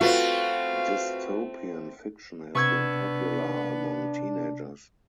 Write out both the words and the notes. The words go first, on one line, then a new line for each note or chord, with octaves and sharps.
Dystopian fiction has been popular among teenagers.
A3 C4 F4 F#4 B4 F5
C3 B3 D4 C#6 E6 G#6